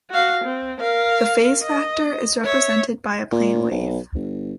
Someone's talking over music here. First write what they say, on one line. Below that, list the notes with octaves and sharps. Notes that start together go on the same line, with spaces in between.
The phase factor is represented by a plane wave.
F#4 F5
C4
A#4 F5
D#5
C#5 E5
A#2
B1
G1